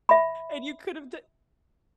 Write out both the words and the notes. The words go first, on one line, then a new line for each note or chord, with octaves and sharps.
And you could have d
E5 B5